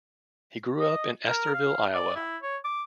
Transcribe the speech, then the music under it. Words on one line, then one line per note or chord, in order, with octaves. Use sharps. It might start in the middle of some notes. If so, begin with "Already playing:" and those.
He grew up in Estherville, Iowa.
D#5
A#4
F5
D5
E4
C#5
D6